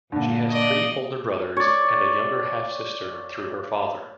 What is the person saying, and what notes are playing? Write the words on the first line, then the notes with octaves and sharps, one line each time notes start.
She has three older brothers and a younger half sister, through her father.
G2 A#2 D3
D5 D#5
C#5 D5